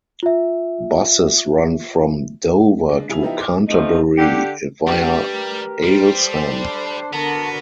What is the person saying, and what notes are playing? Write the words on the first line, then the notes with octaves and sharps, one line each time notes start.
Buses run from Dover to Canterbury via Aylesham.
F4 E5
G#3 D4
C#3 G3 E4 G#4 G#5 F7
F3 B3 D#4 E4 G4 E5
C6 D6 F6
C3 F3 A3 D#4
D3 G4
G3 A3 G4 B4
A#4
G3 A4 C5
D4
D3 B3 F#4 A#4 A5